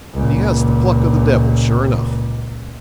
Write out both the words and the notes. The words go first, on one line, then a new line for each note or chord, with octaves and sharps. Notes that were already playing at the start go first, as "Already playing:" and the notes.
But he has the pluck of the devil, sure enough.'
C#2 A#2